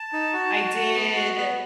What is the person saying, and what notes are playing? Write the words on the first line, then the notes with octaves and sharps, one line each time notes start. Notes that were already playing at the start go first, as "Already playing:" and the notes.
I did,
Already playing: A5
D#4
F#4
F#4
F#4
B3
F#4
B3